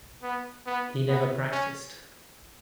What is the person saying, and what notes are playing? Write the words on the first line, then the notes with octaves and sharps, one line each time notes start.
He never practiced.
B3
B3
B3
C#4